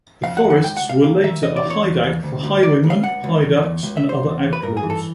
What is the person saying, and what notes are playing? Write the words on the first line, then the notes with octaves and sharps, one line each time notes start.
The forests were later a hideout for highwaymen, haiducs and other outlaws.
F2 F5
F#5
F2
F#5
C#2 G5
F#5
C#2
F5
D#2 F5
D#3 E5
E2 D#5
D5
E2
C#5
E2
E2
D2
D2
D2 D5
D2
F5
C#2 F#5
C#2
E2
E2
C#2
E5
C#2
C5
E2
E2
B4
G2 A#4
G#4
E3
A4